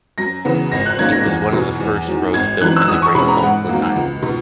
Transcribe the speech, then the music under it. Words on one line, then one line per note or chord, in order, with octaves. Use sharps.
It was one of the first roads built in the Great Falkland island.
F#2 A#6
C#3 E3 B3
G#1 A#6
F#6
F#2 D#3 A#3 C#4 G#6
A#6
E2
B2 F#3
E2
D#3 F#3
G#1 G#6
F#2 E3 F#6
E6
E2 D#6
C#6
B2 G#3 C#4 B5
A#5
G#2 F#5
D#3 F#3 A#3
C#2
B2